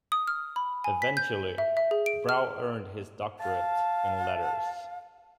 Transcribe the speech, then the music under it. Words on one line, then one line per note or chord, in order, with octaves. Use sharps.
Eventually, Brau earned his Doctorate in Letters.
D#6
F6
B5
G#5
B6
G6
E5
E5
G#4
D7
F6
F5 A5